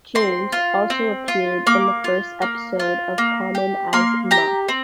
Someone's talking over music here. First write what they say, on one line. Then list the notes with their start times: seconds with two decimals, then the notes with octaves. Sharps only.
James, also appeared in the first episode of Common As Muck.
0.15 C4 C6
0.52 F4
0.90 C4
1.28 F4
1.67 A#3 D6
2.04 F4
2.42 A#3
2.80 F4
3.18 A#3
3.55 G4
3.93 A#3 C6
4.31 G4 A#5
4.68 C4